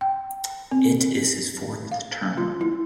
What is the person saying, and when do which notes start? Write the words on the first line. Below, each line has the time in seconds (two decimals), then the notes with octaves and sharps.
It is his fourth term.
0.01 G5
0.71 C4
1.92 F5
2.37 F4
2.61 E4